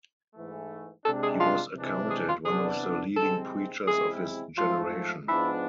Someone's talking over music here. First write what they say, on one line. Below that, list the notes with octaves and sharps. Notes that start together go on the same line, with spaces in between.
He was accounted one of the leading preachers of his generation.
G#2 E3 A3
C3 G#3 D4 A4
G#4
F4
C3 E3 G#3 D4
G#4
F4
C3 E3 B3 D4 G#4
C2 C3 G#3 C4 A4
E2 C3 G#3 C4 E4 G#4
G#2 F3 A3 F4
G#2 F3 G#3 B3 D4 E4